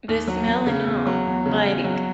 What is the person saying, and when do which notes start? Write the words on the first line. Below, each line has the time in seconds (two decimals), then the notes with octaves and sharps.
The smell and all, like
0.08 D#2
0.28 F#3
0.47 E2
0.66 C#3
0.87 E2
1.06 F#3
1.26 E2
1.46 C#3
1.66 E2
1.84 F#3